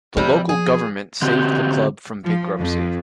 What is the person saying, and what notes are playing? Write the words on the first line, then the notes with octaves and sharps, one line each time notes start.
The local government saved the club from bankruptcy.
C3 F3 G3
G#4
D3 C4 F#4 G4
F3
F2